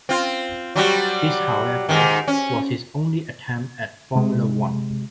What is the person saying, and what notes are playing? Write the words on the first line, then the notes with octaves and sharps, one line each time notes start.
This however, was his only attempt at Formula One.
C4 F4
F#3 G3 F#4
G#2 C3 D#3
C#4
C3 G#3